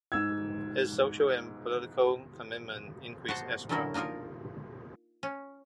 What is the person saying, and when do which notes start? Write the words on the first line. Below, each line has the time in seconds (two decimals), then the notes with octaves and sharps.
His social and political commitment increased as well.
0.12 G#2 E6 G#6
3.28 F#4 C5 A5
3.69 D3 F#3 C#4 E4 A4 A#4
3.94 A#3 D4 D#4 F4 A#4
5.23 C#4